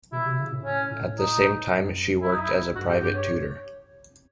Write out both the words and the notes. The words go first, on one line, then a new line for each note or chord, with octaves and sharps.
At the same time she worked as a private tutor.
B2 E4
C3
C#3
A2
A2 C#4
A2
D#4
F#2
E4
D#4
E4
G2 F#4
G4
G2 G4
C#5